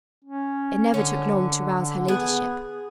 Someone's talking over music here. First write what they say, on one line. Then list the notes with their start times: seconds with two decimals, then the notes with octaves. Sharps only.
It never took long to rouse her ladyship.
0.24 C#4
0.94 D3 C#4
2.08 B3 G#4